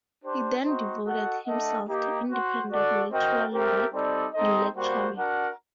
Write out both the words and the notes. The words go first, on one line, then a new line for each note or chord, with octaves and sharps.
He then devoted himself to independent literary work and lecturing.
D4 G4 C5
C4 D#4 F#4 C5
F#4 A4 D#5 F#5
A3 D4 A4 D#5 F#5
A#3 D#4 G4
F#4 C5 F#5
F#4 A4 D5 F#5
C4 F#4 A#4 D#5 G5
A3 C4 G4 A#4
G3 C4 D#4 A4 D5
C4 D#4 A4 C5 D#5
G3 A#3 F#4 C5 F#5
D4 F#4 A#4 F#5